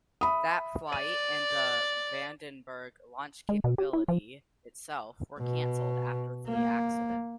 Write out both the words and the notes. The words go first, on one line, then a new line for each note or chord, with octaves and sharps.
That flight and the Vandenberg launch capability itself were canceled after the accident.
E5 B5 D#6
D5 D#7
G#3
B2
G4
E4
F3
B2
A#3